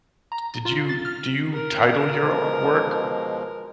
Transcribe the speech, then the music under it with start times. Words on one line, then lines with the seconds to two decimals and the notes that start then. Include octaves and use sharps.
Did you do you title your a work?
0.32 A#5
0.65 F4
0.89 A6
1.05 F6
1.54 A#4
2.21 B2 F3 G#3